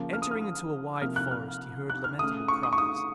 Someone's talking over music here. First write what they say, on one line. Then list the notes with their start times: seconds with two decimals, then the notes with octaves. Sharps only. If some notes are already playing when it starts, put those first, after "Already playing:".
Entering into a wide forest, he heard lamentable cries.
Already playing: C#3 F3 A#3
0.13 F6
0.22 D#6
0.31 F6
1.01 C3 F3 A#3 F6
1.16 F#6
1.31 F6
1.90 F#6
2.04 F6
2.19 C#3 A3 D#6
2.48 C#6
2.63 D#6
2.73 C#6
2.78 D#6